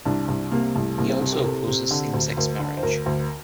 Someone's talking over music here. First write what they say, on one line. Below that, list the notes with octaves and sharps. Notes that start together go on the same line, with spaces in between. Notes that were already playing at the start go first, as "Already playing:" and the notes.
He also opposes same-sex marriage.
C2 D4
C2
C3 A#3
C2 A3
C2 A#3
C4
C3
G4
A#4
C3 A4
C3
D3
D2
D2 A#4
D3
C5
D2 A#4
D2